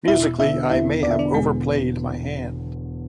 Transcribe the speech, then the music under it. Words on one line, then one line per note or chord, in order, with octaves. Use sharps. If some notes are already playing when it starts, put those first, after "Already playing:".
Musically I may have overplayed my hand.
E1 E4 E5
E2 D3 E4 E5
E1 E4 E5
E2 D3 D5 E5
D4 D5
E1 G#3 G#4